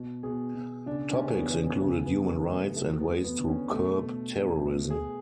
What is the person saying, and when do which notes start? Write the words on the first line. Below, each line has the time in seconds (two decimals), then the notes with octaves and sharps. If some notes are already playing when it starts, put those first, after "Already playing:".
Topics included human rights and ways to curb terrorism.
Already playing: B2
0.23 B2 G#4
0.55 B2
0.86 C#3 D4
1.11 C#4
1.19 C#3
1.34 B3
1.50 E3
1.58 C#4
1.81 C#3 B3
2.06 B3
2.13 E3
2.28 B3
2.46 A3
2.76 F#3 A3
3.00 B3
3.09 E2
3.24 B3
3.39 D3
3.48 C#4
3.71 B2 A3
4.03 B2
4.34 B2
4.66 A3 B3
4.90 G#4